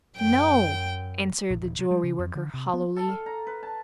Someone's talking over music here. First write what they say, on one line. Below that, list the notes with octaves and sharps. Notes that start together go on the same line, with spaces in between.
"No," answered the jewelry worker, hollowly.
F#2 G5
A#1
D#1
C3
G3
C#3
F2
D3
C3
B3
A4
F5
A#5
B4
A5